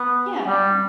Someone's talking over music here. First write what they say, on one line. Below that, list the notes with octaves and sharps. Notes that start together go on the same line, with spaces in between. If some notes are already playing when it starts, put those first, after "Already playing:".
Yeah, y
Already playing: B3
G3